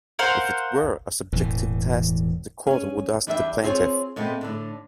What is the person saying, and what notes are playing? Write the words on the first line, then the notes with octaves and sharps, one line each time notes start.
If it were a subjective test, the Court would ask the plaintiff.
A#4 C5 F5 F#5
E1 A2 E3
C#4 G#4
E2 G3 D4 B4 D#5 E5
C4 F4 G#4 C5 C#5
A#2 G#3 A3 B3 C4
A2 D3 D4